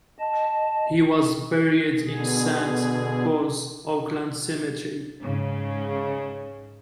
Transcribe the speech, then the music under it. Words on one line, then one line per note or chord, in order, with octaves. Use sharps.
He was buried in Saint Paul's Oakland Cemetery.
D#5 A5
B2 D3 G#4
G#2 C#3